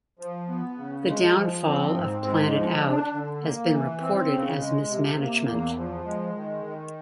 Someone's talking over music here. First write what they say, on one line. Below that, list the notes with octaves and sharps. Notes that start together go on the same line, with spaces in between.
The downfall of Planetout has been reported as mismanagement.
F3
B3
C#3
G#3
F3
C4
G#2
G#3
F3
D4
D3
A#3
E3
C4
C#3
G#3
C3
A#3
E2
F3
G#3
D#3
D#3